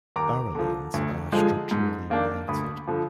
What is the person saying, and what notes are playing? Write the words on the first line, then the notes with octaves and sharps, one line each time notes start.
Barrelenes are structurally related.
D#2 A#5 D6
D3 F3
D2
D3 F3 G#3
G#2
D#3 A#3 D4
D2 B5 D#6
D3 F3